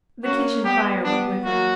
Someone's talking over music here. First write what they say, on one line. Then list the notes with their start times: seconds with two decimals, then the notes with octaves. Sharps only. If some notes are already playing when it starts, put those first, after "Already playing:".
The kitchen fire went with her.
0.24 A#3 C#4 F#4
0.64 G3 B3 G4
1.04 G3 B3 D4
1.44 F#3 A#3 F#4